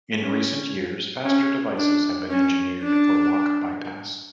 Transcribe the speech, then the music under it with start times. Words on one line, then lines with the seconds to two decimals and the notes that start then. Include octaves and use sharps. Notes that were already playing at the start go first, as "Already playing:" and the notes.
In recent years faster devices have been engineered for lock bypass.
0.21 C#4
1.25 C#4
1.78 D4
2.30 C#4
2.82 D4